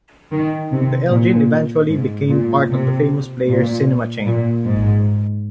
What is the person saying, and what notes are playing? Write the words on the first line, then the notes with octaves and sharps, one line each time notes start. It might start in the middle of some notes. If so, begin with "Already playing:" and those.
The Elgin eventually became part of the Famous Players cinema chain.
D#3
C3
A#2
G#2
A#2
C3
A#2
A#2
G#2